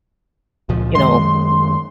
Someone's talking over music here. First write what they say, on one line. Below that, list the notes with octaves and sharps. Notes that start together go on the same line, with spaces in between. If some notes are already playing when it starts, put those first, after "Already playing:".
you know,
C#2 A#2 F3
F#2 D#3 G#3 C6